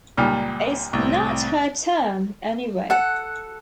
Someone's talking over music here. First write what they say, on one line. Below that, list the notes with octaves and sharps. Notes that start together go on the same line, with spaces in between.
It's not her term, anyway.
C#2 A#2 G3 F6
C2 A2 C4
A4 F#5